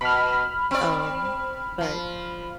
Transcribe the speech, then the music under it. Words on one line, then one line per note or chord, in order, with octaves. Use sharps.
Um, but
B2 B5 F6
C4 D5
F3